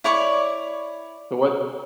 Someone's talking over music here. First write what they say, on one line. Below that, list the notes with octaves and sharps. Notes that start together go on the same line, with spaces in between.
So, what
E4 C#5 D5 C#6